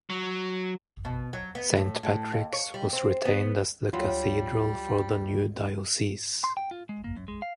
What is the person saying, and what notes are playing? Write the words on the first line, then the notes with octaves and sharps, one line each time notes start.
Saint Patrick's was retained as the cathedral for the new diocese.
F#3
B2
F#3
B3
A2
A2
D#2
C#5
G3
C4
B3
D2 F#3 G3 F4 B5 C6
C6
G5
F4
G#3
A#3
F#2
G#3
F5